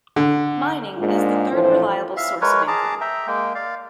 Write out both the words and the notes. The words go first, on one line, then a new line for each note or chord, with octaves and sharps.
Mining is the third reliable source of income.
D3
G#2 G#3 A#3 D4 F4
A2 E3 F3 F4 C5
E5 F5
G#3 A#4 B4 C#5
G#4 A5 A#5 D6
E5 G5 A#5
G#3 A#3 G5
D5 F5